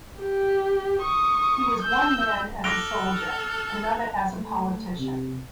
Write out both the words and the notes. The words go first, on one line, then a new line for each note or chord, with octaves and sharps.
He was one man as a soldier, another as a politician.
G4
C#6 D#6
E6 G6
A4 D6 F6 F#6 A#6 D7 F7 G7
A3
C3